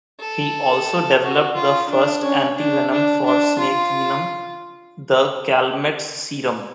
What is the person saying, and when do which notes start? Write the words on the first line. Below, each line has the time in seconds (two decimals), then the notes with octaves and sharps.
He also developed the first antivenom for snake venom, the Calmette's serum.
0.20 A4
1.22 F#4
1.55 F4
1.89 D4
2.23 C#4
2.58 D4
2.91 D4
3.25 D4
3.59 F4